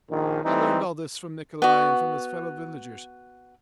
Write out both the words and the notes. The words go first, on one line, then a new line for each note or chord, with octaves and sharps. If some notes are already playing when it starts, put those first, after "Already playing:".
I learnt all this from Nikolay and from his fellow villagers.
A#1 D#3
E3 G3 C4 D#4
B3 F#4